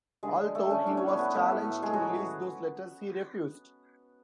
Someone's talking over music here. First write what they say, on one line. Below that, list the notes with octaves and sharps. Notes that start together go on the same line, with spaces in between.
Although he was challenged to release those letters he refused.
D3 F#3 G#3 A3 G#4
A3 A4
C#4 C#5
A2 F#3 A3 D4 D5
C#4 C#5
B3 B4
B3 B4
A3 A4
A2 F#3 A3
G#3 G#4
F#3 F#4